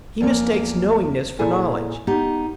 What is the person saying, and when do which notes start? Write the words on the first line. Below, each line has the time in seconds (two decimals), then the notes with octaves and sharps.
He mistakes knowingness for knowledge.
0.21 E2 F3 A#3
1.39 A#2 E4 G#4 A4 G#5
2.07 B3 D#4 G4